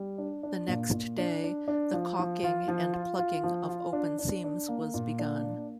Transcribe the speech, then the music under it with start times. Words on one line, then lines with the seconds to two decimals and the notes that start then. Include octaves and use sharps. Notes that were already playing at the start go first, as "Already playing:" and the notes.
The next day the caulking and plugging of open seams was begun.
Already playing: G3
0.18 D4
0.43 D4
0.68 A#2
0.93 A#2
1.18 D4
1.44 D4
1.68 D4
1.94 F3
2.19 F3
2.44 F4
2.68 F3
2.93 F4
3.19 F4
3.43 F3
3.69 F4
3.93 D4
4.19 D4
4.44 D4
4.68 A#3
4.94 A#2
5.19 D4
5.44 A#3